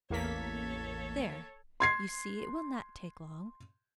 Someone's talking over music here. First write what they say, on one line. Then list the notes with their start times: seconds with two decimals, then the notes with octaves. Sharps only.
"There, you see it will not take long."
0.10 A1 E2 A#3 A4 C#5 B6
1.80 C6 G#6 C7